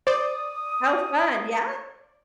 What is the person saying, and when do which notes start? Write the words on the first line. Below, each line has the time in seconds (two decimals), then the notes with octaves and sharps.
How fun, yeah.
0.07 C5 D5 D#6